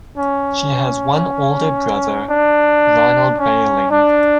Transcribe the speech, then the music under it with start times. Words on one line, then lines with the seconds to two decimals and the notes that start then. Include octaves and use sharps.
She has one older brother, Ronald Bahling.
0.17 C#4
2.30 D4
3.37 C#4
3.91 D4